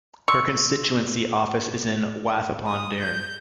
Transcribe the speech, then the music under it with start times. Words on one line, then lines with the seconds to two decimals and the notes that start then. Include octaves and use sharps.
Her constituency office is in Wath-upon-Dearne.
0.28 C6 C#6 E6
2.67 D#6
3.00 G6